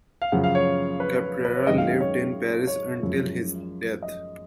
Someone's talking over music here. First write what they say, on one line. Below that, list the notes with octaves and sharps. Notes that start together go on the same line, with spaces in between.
Caprara lived in Paris until his death.
F5
F#2 C#3 F3 F#5
F5
C#5
B4
B4
C#5
F#2 D#3 G#3 D#5
F5
F5
C#5
C#5
F#2 F3 G#3
D#5